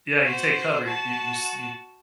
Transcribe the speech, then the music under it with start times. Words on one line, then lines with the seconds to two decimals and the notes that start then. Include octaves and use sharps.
Yeah, you take cover. You you s y
0.25 F#4 C5
0.85 F#4 A5